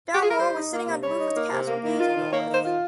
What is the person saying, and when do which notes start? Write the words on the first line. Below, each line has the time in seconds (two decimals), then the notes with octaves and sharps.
Dalmor was sitting on the roof of the castle, gazing north.
0.14 G4
0.22 G#4
0.30 A#4
0.38 G3 C5
0.55 D#4
0.71 A#3
0.87 C3
1.03 G3 C#5
1.20 D#4
1.35 A#3
1.52 C3
1.67 A#3
1.84 D#3
2.00 F4
2.17 D#3
2.33 A#3 C#5
2.49 D#3 C5
2.65 F4